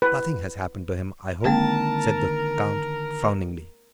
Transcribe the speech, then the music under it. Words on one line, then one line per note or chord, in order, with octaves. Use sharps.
"Nothing has happened to him, I hope," said the count frowningly.
B4
D3 D#3 G#3 A#3 C4 A#4 A5